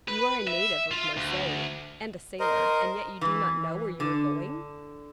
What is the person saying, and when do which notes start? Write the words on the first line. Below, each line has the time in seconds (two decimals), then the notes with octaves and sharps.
"You are a native of Marseilles, and a sailor, and yet you do not know where you are going?"
0.08 B4
0.47 E5
0.91 F4
1.17 D2
2.40 A#4 C5 D#5
3.21 E3
4.00 D3